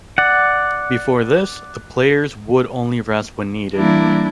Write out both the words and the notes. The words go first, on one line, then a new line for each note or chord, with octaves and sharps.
Before this, the players would only rest when needed.
D5 F#5
E3 G3 A#3 D4 E4